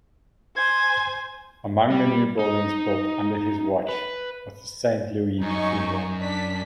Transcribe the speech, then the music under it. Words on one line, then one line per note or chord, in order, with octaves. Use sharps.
Among the new buildings built under his watch was the Saint Louis Cathedral.
C5 G#5 G#6
G3
D#4
B4
F#2 D#4 G#5 C#6
D4 B6